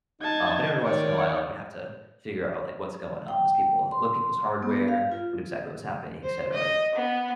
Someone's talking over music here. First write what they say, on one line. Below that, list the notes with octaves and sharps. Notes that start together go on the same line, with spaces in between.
Um, but every once in a while, I would have to figure out, like, what's going on was people load people's hardware, what exactly was happening, etcetera,
D#4 A5 G#6
D#3 C#5 D5
G5
C6
B3
F5
F4
C5
D#5
B3